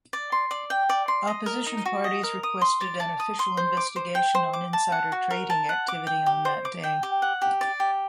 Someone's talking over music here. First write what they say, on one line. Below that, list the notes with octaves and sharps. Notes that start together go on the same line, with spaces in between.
Opposition parties requested an official investigation on insider trading activity on that day.
D5
C6
D5
G5
D5
C6
D#5
A#4
D#4
F#4
D#5
A#4
D#6
C6
D5
A5
D#6
C6
C5
D6
C5
G5
C5
D6
A5
F#5
F#4
A#4
A5
F#5
D6
G5
G4
C5
D6
G5
G4
F#5
G4
D5
G4